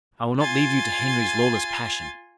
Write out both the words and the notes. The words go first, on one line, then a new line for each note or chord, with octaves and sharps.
"I will not leave you to Henry's lawless passion."
F4 G#5 C6 A6